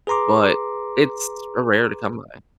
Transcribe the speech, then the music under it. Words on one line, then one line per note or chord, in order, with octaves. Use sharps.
but it's rare to come by.
G#4 B4 A#5 C6 D6